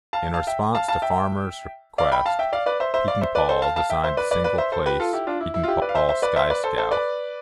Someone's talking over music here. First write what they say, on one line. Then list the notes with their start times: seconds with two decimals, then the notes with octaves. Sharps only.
In response to Farmer's request, Pietenpol designed the single-place Pietenpol Sky Scout.
0.13 F5 A5
0.34 F5 A5
0.47 E5 G5
0.75 F5 A5
0.88 F5 A5
1.02 E5 G5
1.98 D5 F5
2.12 G5 B5
2.26 F5 A5
2.39 E5 G5
2.53 D5 F5
2.66 B4 D5
2.80 C5 E5
2.94 C5 E5
3.08 D5 F5
3.21 C5 E5
3.35 B4 D5
3.49 A4 C5
3.62 F5 A5
3.76 F5 A5
3.90 E5 G5
4.04 C5 E5
4.17 B4 D5
4.31 B4 D5
4.44 B4 D5
4.58 C5 E5
4.72 A4 C5
4.86 G4 B4
5.00 F4 A4
5.13 E4 G4
5.27 D4 F4
5.41 E4
5.54 E4
5.63 F4
5.68 E4 G4
5.82 B4 D5
5.89 F5
5.95 C5 E5
6.09 C5 E5
6.22 B4 D5
6.36 C5 E5
6.50 B4 D5
6.64 A4 C5
6.77 A4 C5
6.91 B4 D5